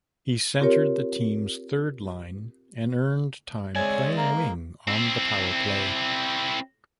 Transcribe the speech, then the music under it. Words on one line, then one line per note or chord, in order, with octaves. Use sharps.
He centred the team's third line and earned time playing wing on the powerplay.
C4 F4 G4 A#4 C#5
G#3 C4 C#5 D5 E5 G#5
A#3 A#5
C4 E4